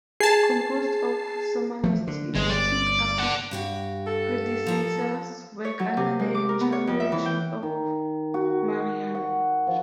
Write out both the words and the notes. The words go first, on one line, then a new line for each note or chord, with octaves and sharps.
Composed of Somalis, it took up its predecessor's work under the chairmanship of Mariano.
G#4 A5 C7
F3 A3
D3
G1 G#3
D5
D5 F#5
G2 F#4 G4
A4
F3 A#5
C#5
F#3
C3
G#3
D6
A#4
B3
C#5
F2
E5
E3
G5
D#3
F#4
F#5
F3